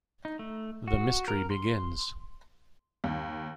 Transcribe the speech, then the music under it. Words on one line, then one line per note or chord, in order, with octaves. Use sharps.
The Mystery Begins.
D#4
A3
F#4
A#4
C6
D#2